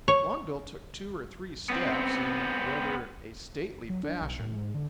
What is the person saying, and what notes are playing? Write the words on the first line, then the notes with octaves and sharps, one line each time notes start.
Longbill took two or three steps in rather a stately fashion.
C#5
B3 C4
F#3
D4
B1
A2
G#2
D3